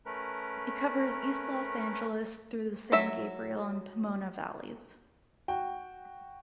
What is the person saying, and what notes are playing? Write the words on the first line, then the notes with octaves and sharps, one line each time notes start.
It covers East Los Angeles through the San Gabriel and Pomona valleys.
A3 C#4 A#4 B4
F#3 E5
F#4 G5